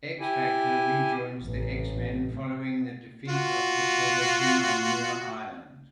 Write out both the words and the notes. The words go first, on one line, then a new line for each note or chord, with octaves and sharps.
X-Factor rejoins the X-Men following the defeat of the Shadow King on Muir Island.
E4 G4 G#5
A1
F4 F#4